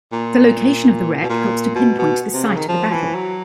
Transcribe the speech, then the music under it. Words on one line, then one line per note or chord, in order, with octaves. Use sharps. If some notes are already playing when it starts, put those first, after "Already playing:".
The location of the wreck helps to pinpoint the site of the battle.
A#2
B2
A#2
B2
B2
C3
C#3
D#3
F3
E3
F#3